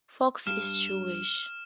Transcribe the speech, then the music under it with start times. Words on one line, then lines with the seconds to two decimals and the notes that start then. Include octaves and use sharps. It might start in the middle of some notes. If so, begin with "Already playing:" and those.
Fox is Jewish.
0.47 G2 F6 E7